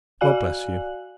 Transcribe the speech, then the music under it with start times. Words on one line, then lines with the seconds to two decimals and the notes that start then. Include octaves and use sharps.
God bless you!
0.21 F#4 D5 F5 G#5 F#6 F#7